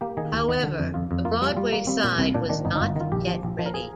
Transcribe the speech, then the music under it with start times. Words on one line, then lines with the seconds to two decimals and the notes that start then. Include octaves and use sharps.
However, the Broadway side was not yet ready.
0.01 A#3 G4
0.17 D#3 G#4
0.32 D#2
0.49 D#3
0.63 D3
0.79 F2
0.94 F2 F4
1.11 F2
1.25 A#3 F4
1.42 G3
1.57 G3 F4
1.72 A#3
1.87 G3 C4
2.04 A#2
2.18 C2 C4
2.34 A#2 D4
2.49 D#3 D4
2.65 G1 D#4
2.75 D#4
2.81 G1 F4
2.96 D#3 F4
3.12 A#1 G4
3.27 F3
3.43 A#1
3.59 F3
3.66 A#4
3.74 G#4